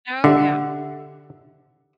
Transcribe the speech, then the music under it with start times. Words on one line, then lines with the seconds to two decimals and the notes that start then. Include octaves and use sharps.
Oh, yeah.
0.24 D3 G4 E5 F#5